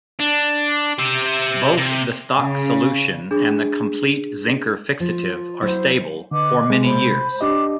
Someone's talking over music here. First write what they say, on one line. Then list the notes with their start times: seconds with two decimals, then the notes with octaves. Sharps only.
Both the stock solution and the complete Zenker fixative are stable for many years.
0.20 D4
0.98 G4 E5
1.78 C3
2.38 C#3
3.31 D4 G#4
5.00 F3
5.62 F#3 E4 C5
6.31 D3 B4 D#5 D6
6.70 C3 G#3
6.83 C5 B5
7.41 D4 G4 D#5 D6